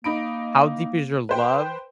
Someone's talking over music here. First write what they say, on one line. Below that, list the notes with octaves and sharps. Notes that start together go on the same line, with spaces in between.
"How Deep Is Your Love?"
A#3 D#4 B5 D7
B4 C5 G5